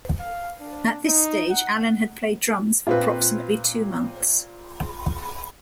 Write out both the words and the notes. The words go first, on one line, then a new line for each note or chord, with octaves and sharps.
At this stage, Allen had played drums for approximately two months.
F5
D4
D#4
F#5
A#2 C4 F4 B4